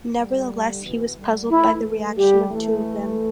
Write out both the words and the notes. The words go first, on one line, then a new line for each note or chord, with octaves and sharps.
Nevertheless, he was puzzled by the reaction of two of them.
D3 G3
B2 E3
D3 G3
E3 A3 E4
D3 G3 G4
E3 A3